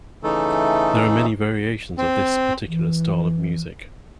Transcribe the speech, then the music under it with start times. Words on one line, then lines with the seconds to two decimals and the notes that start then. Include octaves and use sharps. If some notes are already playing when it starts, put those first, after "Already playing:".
There are many variations of this particular style of music.
0.23 C#3 E3 A3 D#4 A4
1.98 C4
2.65 E3